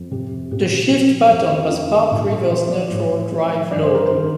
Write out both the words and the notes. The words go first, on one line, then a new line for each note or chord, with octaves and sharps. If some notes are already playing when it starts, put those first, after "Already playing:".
The shift pattern was Park-Reverse-Neutral-Drive-Low.
Already playing: F2
C3 G4
A#2 G4
F3 G4
F2
F4
D3 D#4
A#2 D4
A4
F3 C5
D5
A2
F3
G2 D5
C5
A#4
C5
D#3